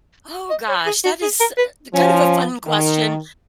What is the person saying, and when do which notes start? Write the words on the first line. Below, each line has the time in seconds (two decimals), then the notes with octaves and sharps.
Oh gosh. That is, uh, kind of a fun question.
0.50 D#5
0.69 C#5
0.86 G#4
1.04 F#4
1.22 G#4
1.40 A#4
1.58 B4
1.94 F3 C#4
2.66 D#3